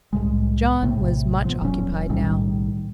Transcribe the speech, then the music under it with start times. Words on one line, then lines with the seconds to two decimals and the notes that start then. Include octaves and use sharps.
John was much occupied now.
0.13 C2 A2 G#3
0.82 A#1 A2 C3
1.45 F3 F#3 B3
1.60 F1 A#2 F#3 C#4
2.09 B1 A2 D#3 G3